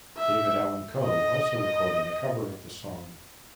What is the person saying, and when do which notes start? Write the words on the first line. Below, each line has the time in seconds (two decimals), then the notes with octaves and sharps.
David Allan Coe also recorded a cover of the song.
0.18 E5
1.04 D#5
1.61 D#5